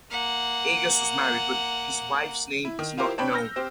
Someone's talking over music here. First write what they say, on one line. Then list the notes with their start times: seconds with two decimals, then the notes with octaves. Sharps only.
Agas was married, but his wife's name is not known.
0.11 A#3 F#5
2.65 E4
2.79 D#3
2.97 E4 F4 G4 A#4 C5
3.18 C4 D4 C#5 G5 B5
3.32 E6 F6 G6 A#6
3.56 C4 G4 C5